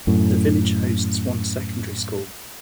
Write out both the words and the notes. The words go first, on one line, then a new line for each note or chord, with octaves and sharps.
The village hosts one secondary school.
F#2 A2